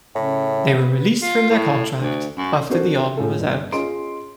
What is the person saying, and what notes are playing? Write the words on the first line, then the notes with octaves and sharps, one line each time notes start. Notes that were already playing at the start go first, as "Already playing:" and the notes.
They were released from their contract after the album was out.
A2 C#3 C#4
B3 B4
F4
A2
D2
F#2
C4 D4 F#4 A4 A#4 C5
A2 G#3 C#4 F4 A4
G1
C#4 F4 G#4 D#5 C6 D7